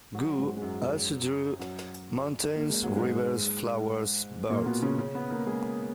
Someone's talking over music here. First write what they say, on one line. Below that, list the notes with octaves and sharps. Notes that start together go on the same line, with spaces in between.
Wu also drew mountains, rivers, flowers, birds.
F#3 F#4
G#2 G#3
G#3
F#2 F#3
F#2 F#3
A#3
G#3
F#3
G#2 G#3
A#2 A#3
B2 B3
C#3 C#4
C#3 C#4
B3 B4
A#3 A#4
G#3 G#4